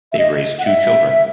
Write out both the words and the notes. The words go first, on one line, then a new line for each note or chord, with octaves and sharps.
They raised two children.
E5
D#5
F#5
E5